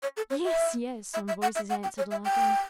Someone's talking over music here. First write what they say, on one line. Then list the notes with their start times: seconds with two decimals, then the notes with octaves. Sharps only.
"Yes, yes!" some voices answered, laughing.
0.03 C#5
0.17 A4
0.30 C#5
0.45 E5
1.14 E5
1.28 E5
1.42 F#5
1.55 E5
1.70 F#5
1.83 G5
1.98 C#5
2.11 E5
2.25 G5